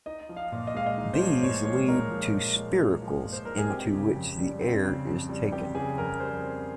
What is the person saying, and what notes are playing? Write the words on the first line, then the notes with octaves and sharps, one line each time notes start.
These lead to spiracles into which the air is taken.
D#4 D#5
F3
F5
A#2
D#5
G#3 F5
D#5
D#4
C5
F3 C#5
A#2 C#5
G#3 C#5
D#4 A#4
F3
A#2
G#3
D#4
F3
A#2
C5
G#3 A#4
G#4
C4 G4
C#3
F2
G3
C4
C#3
F2
G3
C4 G4
C#3 G#4
F2 A#4
G3 C5
C4